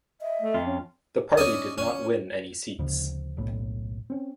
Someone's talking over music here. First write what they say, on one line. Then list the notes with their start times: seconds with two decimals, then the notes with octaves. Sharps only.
The party did not win any seats.
0.21 D#5 E5
0.42 A3
0.54 F2 F4
0.66 C#4
1.37 C#4 D5 D#5
1.78 C#4
2.79 D2 C#3 F3
3.37 F#1 B1 A2
4.10 C4 C#4